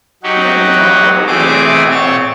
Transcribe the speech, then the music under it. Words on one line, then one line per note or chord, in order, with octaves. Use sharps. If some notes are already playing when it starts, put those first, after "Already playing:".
Yeah. We talked right. Yeah, uh
F#3 D#4 F#4 G4
E3 A3 C4 G#4 D6
C4 C#5 A6